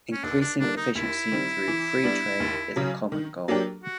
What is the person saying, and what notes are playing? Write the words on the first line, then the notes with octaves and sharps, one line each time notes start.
Increasing efficiency through "free trade" is a common goal.
C#4
D#2 D4
D4
D3 G3 A#3 D4
D#4
D#2 E4
D#3 G3 C4
E3
G3 B3 D4
D#2
C#3 F#3
D#3
F#3 A#3 D4 G4
F#4